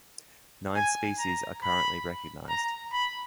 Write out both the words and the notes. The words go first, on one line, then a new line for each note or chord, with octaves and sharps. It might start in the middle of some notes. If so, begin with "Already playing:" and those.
Nine species are currently recognized.
G#5
A#5
B5
A#5
B5